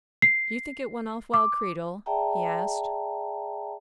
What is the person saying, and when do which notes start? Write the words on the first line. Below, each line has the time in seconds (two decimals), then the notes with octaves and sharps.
"Do you think it went off well, Creedle?" he asked.
0.22 C7
1.34 D6
2.06 G#4 D5 E5 G5 A5 A#5